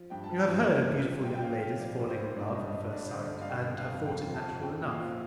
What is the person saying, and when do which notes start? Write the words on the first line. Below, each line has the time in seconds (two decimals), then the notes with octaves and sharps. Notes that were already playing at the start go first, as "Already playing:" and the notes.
You have heard of beautiful young ladies falling in love at first sight, and have thought it natural enough.
Already playing: F3
0.10 G2 G5
0.24 A5
0.30 F3
0.37 G5
0.48 G2
0.67 G2
0.85 G2
1.04 F3
1.23 F3 G5
1.35 G5
1.42 F3 F5
1.61 F3 F5
1.80 F3 D5
1.99 A2 D5
2.09 C5
2.18 A2
2.36 G2 D5
2.55 G2 D#5
2.74 G2 D#5
2.93 G2 D5
3.07 C5
3.12 D3 D5
3.26 D#5
3.30 G2 D5
3.41 F5
3.49 D3 G5
3.67 D3
3.78 F5
3.87 F2
4.06 F2 G5
4.24 F3
4.34 A5
4.44 F2
4.62 F3 G5
4.81 A#2
4.91 F5
4.99 F3